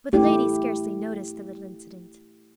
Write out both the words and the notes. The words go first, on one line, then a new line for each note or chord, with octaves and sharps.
But the lady scarcely noticed the little incident.
A3 E4 G4